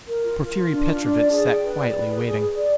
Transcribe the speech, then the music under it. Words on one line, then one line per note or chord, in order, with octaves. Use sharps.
Porfiry Petrovitch sat quietly waiting.
A#4
F4
F4
F4
D4
F4
D4
D5
G#4
G5
B4
D5
B4
G#4
G#4
G#4
D5